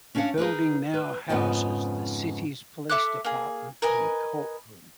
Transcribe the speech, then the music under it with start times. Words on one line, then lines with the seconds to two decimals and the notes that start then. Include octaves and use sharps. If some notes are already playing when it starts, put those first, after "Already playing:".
The building now houses the city's police department and courtroom.
0.15 C#4 D4 C#5 F5 F#5
0.38 D#4 G#4 A#4 B4
0.94 B4
1.29 F2 G#2 C#3 B3
2.89 A4 E5 D6 F#6
3.24 A#3 G#4
3.82 A#4 B4 D#5 G#5